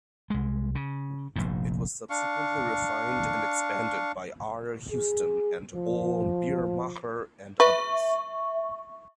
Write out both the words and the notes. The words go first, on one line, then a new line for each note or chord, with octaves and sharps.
It was subsequently refined and expanded by R. Houston and O. Biermacher and others.
C2 G#3
C#3
F1 A#1 G#2
D4 F5 C#6
G#4
F3
B4 E5 C#6